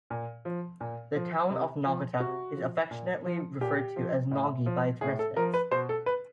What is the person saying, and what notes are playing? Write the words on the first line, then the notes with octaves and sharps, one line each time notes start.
The town of Naugatuck is affectionately referred to as "Naugy" by its residents.
A#2
F3
A#2
F3
C3
F3
C3 F#4
F3
A#2
F3
A#2 G4
F3
A2
F3
A2 G#4
A4
F3 A#4
B4
B2 C5
A4
B4